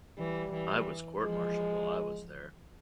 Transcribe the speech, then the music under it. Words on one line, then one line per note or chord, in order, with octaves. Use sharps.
I was court-martialled while I was there.
E3 G3
E3
F3 G#3